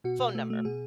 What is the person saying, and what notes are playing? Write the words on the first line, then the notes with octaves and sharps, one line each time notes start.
phone number
B2 F#4
B2
A3
A3
B2 G#4